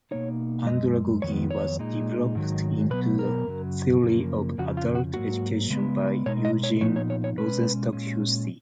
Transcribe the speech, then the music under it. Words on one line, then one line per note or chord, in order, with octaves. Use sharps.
Andragogy was developed into a theory of adult education by Eugen Rosenstock-Huessy.
B2 A#3 D#4 C#5
F#2 C#3 G#3 D#5
F2 D#3 F#3 B3 C#5
C#5
A#2 G#3 D#4
G#2 D#3 F#3
B2 F#3 B3 B4
A#4
F#2 C#3 F#3
F#2 C#3 F3 A#3
F2 C#3 F3 F#4
F4
F#4
G#2 F#3 A#3 D#4 F#4
C#3 G#3 B3
B2 G#3 D#4 C#5
D#5
C#5
A#2 F3 B3 D#4 C#5
C#5
C#5
C#5
B2 G#3 C#4 B4
A#2 G#3 C#4